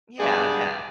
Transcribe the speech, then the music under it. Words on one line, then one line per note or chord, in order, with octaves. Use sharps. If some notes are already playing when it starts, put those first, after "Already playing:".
Yeah. Yeah.
G2 B3 G#4 D5